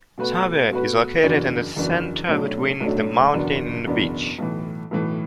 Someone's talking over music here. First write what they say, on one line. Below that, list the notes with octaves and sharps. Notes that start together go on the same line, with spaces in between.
Sabya is located in the center between the mountain and the beach.
B2 A3 F#4 B4
B2 A3 F#4 B4
F#1 E2 E3 D4 F#4
F#1 E2 E3 D4 F#4
B1 A2 F#3 A3 D4
B1 A2 F#3 A3 D4
F#1 E2 B2 B3 D4
F#1 E2 B2 B3 D4
B1 A2 E3
B1 A2 E3